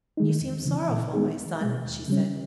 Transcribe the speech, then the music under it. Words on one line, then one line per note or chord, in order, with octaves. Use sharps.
'You seem sorrowful, my son,' she said.
D#3 G#3 D#4
E2
C#3 E3
A#2
G#3 B3 D#4 G#4
C#2
B2 G#3
D#2
C#3 G3 C#4